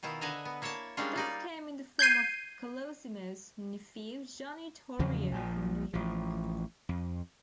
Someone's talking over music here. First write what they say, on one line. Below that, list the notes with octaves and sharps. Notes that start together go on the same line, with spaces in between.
This came in the form of Colosimo's nephew Johnny Torrio from New York.
B2 D#3 E4 F4
D3 B4 D#5 E5 G#5 A#5
B3
A#3 E4 C#5 E5 A5
G3 G#3 A#3 C#4 D4 F4
A#3 D#4 D5
G6 G#6 C7 D#7
E2 C#3 F3 F#3
A#1 A#2 F3
A1 F3
F2